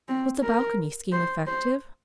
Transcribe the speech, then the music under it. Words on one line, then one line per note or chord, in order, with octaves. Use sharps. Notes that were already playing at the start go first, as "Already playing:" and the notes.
Was the balcony scheme effective?
C4
A#4
C5
C5